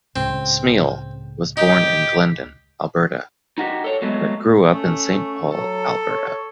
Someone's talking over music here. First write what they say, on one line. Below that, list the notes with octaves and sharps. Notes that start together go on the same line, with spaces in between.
Smyl was born in Glendon, Alberta, but grew up in Saint Paul, Alberta.
C#2 A2 C4
D#4 G4
D#4 F#4 G4
A4 C#5
F#3 G#3 A3 B3
A3 C#4
F#3 A4
C#5